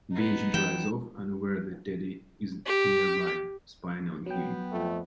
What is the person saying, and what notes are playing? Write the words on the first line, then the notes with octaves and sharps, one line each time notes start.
Benji drives off, unaware that Ted is nearby, spying on him.
B3 D#4
E3 F#3 G5 E7
G4
F#3 B3 G5
F2 A3